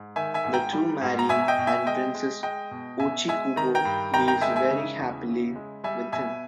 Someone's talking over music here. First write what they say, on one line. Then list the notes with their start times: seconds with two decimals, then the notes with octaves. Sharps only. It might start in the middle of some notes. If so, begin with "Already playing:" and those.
The two marry and Princess Ochikubo lives very happily with him.
Already playing: G#2
0.16 D#3 E5 G#5
0.34 E5 G#5
0.44 G#2
0.54 G5 A#5
0.73 G3
1.01 G#2
1.19 A#5
1.29 B2 E5 G#5
1.48 D#5 G5
1.58 B2
1.67 E5 G#5
1.86 G#3 D#5 G5
2.15 G#3
2.43 G#3 D#5 G5
2.71 B2
3.00 B2 E5 G#5
3.28 G#3 E5 G#5
3.56 D#3 A#5
3.75 G5 A#5
3.85 G2
4.14 D#3 G5 A#5
4.28 G5 A#5
4.41 G#3 E5 G#5
4.56 E5 G#5
4.71 C#3
4.99 E2
5.27 C#3
5.56 G#3
5.84 G3 E5 G#5
6.12 B2 E5 G#5